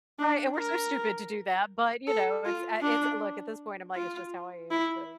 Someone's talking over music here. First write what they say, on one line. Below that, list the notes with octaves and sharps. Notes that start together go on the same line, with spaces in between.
Right, and we're so stupid to do that, but, you know, it's uh, it's look, at this point, I'm like, it's just how I am, so
D4
A#4
A4
F4
D4
F4
E4